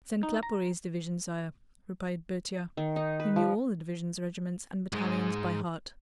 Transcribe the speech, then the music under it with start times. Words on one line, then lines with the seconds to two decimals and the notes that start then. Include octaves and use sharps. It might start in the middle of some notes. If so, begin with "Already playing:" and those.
"Send Claparede's division, sire," replied Berthier, who knew all the division's regiments, and battalions by heart.
0.23 D#4
0.43 A#5
2.77 D#3
2.96 D#4
3.20 B4
3.36 F3
4.93 G#2 G#3